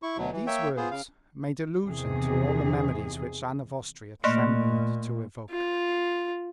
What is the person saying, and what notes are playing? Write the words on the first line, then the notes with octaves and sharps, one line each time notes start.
These words made allusion to all the memories which Anne of Austria trembled to evoke.
E4 C#6
D2 B2 F#3
E3
A#3 C#5 E5 G5
B3 F4 G#4 C5
C#3 F5
E2 C3 D#3 G#4
A#2 A3 A#3
F4